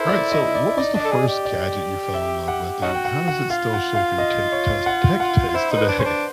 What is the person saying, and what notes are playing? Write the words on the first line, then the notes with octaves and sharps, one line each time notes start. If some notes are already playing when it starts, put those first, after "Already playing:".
All right, so what was the first gadget you fell in love with, and how does it still shape your ta test tech taste today?
Already playing: E4 A4 A#4 C5
D5
D#5
D5
D#4 D5
D4 D#5
A4 D5
G#4
D5
G4
D5
E5
F#5
C#4 D#4 F#4 F#5
G5
F#5
F#5
F4 F5
F#5
F5
D#5
C#5
F#5
F#5
F4
E4 C5
D#4
B4
D4
C#4 C5
D4